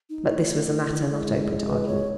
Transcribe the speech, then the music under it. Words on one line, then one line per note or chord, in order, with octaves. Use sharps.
But this was a matter not open to argument.
D#4
A3
E4
G#3
B4
C#5